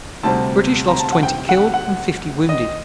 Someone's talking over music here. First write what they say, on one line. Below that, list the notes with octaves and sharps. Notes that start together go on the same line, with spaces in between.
The British lost twenty killed and fifty wounded.
D2 C3 G3 C4 A5
A#5
A5
F#5
G5
F#5
F#5
D#5